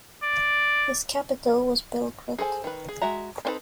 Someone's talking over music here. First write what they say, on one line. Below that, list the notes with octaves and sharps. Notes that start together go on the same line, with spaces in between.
His capital was Belgrade.
D5
G#4 A4 C5 G#5
D#3 B4
G#4
G#3 F#4 E5 A#5
C4 D4 D#4 A4 B4